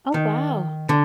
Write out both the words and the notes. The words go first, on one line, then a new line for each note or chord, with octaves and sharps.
Oh, wow.
D#3
D3